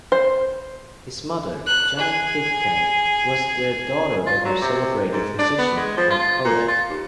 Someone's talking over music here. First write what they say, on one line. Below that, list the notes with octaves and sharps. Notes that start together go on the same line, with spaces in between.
His mother, Janet Pitcairn, was the daughter of a celebrated physician and poet.
C5
F#6
G#4
F4
F#3
C3
G#2
D4
B3
G#3
F3
F4
A#2
F4
D#2